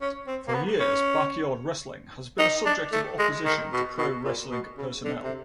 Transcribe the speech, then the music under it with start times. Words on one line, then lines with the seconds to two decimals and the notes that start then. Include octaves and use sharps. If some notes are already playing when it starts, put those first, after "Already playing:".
For years, backyard wrestling has been a subject of opposition to pro wrestling personnel.
0.01 C#4
0.27 C4
0.48 A#3
0.54 B3
0.80 C#4
2.39 D#4
2.65 D4
2.92 A3
3.19 G#3
3.45 D#3
3.73 B2
3.98 B2
4.25 A#2
4.51 B2
4.78 C#3
5.04 D3
5.24 C3